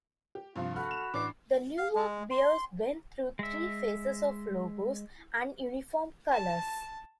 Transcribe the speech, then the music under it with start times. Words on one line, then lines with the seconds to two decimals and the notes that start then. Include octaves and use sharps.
The Newark Bears went through three phases of logos and uniform colors.
0.35 G4
0.56 G2 C3 F3 F4
0.76 F#4 A4 F#5 B5 F6 F#6
0.91 E7 F7
1.14 A1 D4 D6 C7
1.78 F5
1.95 G#3
2.31 C6
3.39 G#3 E5
6.31 A5